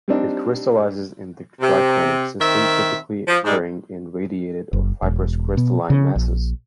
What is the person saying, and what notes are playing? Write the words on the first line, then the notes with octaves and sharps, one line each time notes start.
It crystallizes in the triclinic system typically occurring in radiated or fibrous crystalline masses.
G3 C4 D4 D#4
C3
D#3 C4 E5
F3
G#2 G3 G#3
F#1
E1
B2
C#3
A#1